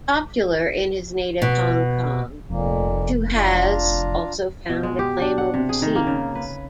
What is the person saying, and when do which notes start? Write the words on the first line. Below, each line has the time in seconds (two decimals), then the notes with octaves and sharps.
Popular in his native Hong Kong, To has also found acclaim overseas.
1.42 B2
2.50 F1 F2 A#2 A#3
3.34 D4 F4 A#5
4.69 B2
4.83 G#3
4.99 G4
5.21 D4
5.38 F#5
5.54 C3
5.69 G#4
5.82 D#3
5.96 A#3
6.07 C#3
6.35 B4